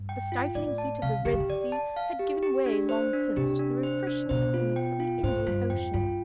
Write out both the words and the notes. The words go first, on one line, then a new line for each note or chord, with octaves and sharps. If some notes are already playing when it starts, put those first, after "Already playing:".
The stifling heat of the Red Sea had given way long since to the refreshing coolness of the Indian Ocean.
Already playing: G2
G5
F4
A2 D5
A5
C3 F5
D3 G4
E3
D3
D5
A5
F5
G4
G4
D4
C5
D4
C3 G4
D4
C5
D4
B2 C5
F4
G5
F4
A2 C5
G2 F4
F2 G5
G2 F4